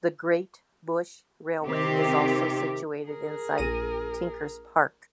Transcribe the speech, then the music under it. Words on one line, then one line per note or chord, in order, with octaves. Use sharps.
The Great Bush Railway is also situated inside Tinkers Park.
C3 D#3 C4 G4
G#4 A#4
A#1 A#6 D#7